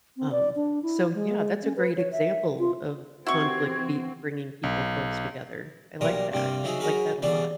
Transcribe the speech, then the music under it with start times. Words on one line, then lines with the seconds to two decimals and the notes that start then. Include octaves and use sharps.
Um, so, yeah, that's a great example of conflict be bringing people close together. I like that, I like that a lot.
0.17 C4
0.31 D5
0.56 D4
0.83 E4
1.14 G#3
1.64 C#4
1.77 B4
1.97 C#5
2.12 E5
2.59 F4
3.27 E3 C4 E4 F#4 G4 C#6 G#6
4.63 B1
6.01 B1 A#2 G3 A#4 D#6
6.32 G2 C3 G3 A#3 F4
6.63 C#3 F#3 D#4 E4 F#4 G#4
6.80 F#3 F#4 G#4 A#4 B4
7.22 B2 E3 G3 G#4 B4 D5